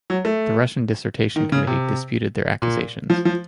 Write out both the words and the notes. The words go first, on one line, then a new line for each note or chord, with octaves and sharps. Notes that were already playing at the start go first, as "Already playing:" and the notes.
The Russian dissertation committee disputed their accusations.
F#3
A3
D#3
C#3
C3
A#2
F3
F3